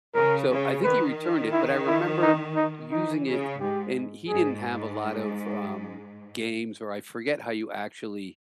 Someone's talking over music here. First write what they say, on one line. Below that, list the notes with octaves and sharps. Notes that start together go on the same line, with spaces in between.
So I think he returned it, but I remember using it, and he didn't have a lot of, um, games or I forget how you actually
C#3 A#4
C#3
D#3 B4
E4
E4
D#4
D#4
E3 D#4
C#3
G#2 G4
G#2 G#4